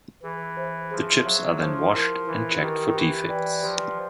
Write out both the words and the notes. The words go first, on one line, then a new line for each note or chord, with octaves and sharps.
The chips are then washed and checked for defects.
E3 G#4
C5 E5
F3 G#4
F#3 C5 E5
F3 E4
G4 A#4
E3 E4
D#3 G4 A#4
E3 G4
B4 D5 G5
F3 G4